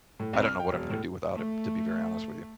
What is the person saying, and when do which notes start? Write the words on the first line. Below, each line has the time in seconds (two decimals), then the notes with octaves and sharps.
I don't know what I'm gonna do without him, to be very honest with you.
0.20 A2
0.33 C2
0.45 F6
0.60 G5
0.72 E1
0.90 A2
1.36 A3